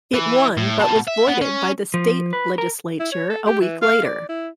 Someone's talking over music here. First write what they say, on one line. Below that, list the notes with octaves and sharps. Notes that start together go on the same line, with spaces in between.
It won but was voided by the State Legislature a week later.
E3
A2
B2 A5
E5
B3
C#4
F3
B4
A#4
E4
C#5
A4
G4
E3
F5
D5
E4